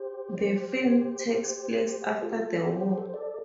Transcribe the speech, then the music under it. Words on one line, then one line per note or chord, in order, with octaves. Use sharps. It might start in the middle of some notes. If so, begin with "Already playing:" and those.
The film takes place after the war.
Already playing: G4 C5
G4 C5
C5
F4 A4
G4 C5
G4
A4
C5
A4 D5